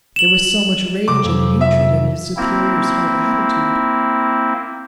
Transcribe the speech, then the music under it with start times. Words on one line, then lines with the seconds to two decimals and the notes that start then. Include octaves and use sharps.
There was so much rage and hatred in his superior's whole attitude.
0.16 E7 F#7
1.08 C3 F#3 D6
1.24 F2
1.61 E5
2.37 A#3 C4 E4